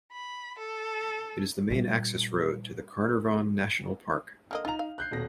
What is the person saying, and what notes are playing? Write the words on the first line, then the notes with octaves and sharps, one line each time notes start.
It is the main access road to the Carnarvon National Park.
B5
A4
A#2 G3
D3 A#3 D#5 F6
D#4 F4 A#5 F7
F5
F#6 G6 C7
D#1 B2 A#6